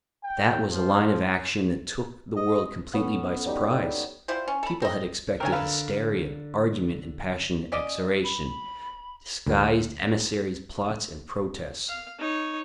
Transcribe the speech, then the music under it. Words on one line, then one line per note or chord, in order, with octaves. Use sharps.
That was a line of action that took the world completely by surprise. People had expected hysteria, argument, and passionate exhortation; disguised emissaries, plots, and protests.
G5
F3
D#5
B3 C#4 A4
F#3 G3 D#4 G4
G3 E4 F4 C5
C#4
A4 B5
C4 D#5
D3 C4 A#4 C#5 G#5
A4 B4 F5
C#4 D5 D#5
B5
D2 A#2 A#3 F#5
F5
D#4 C#5